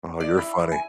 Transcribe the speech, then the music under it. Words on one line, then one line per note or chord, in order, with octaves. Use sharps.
Oh, you're funny.
D5
E4
G#5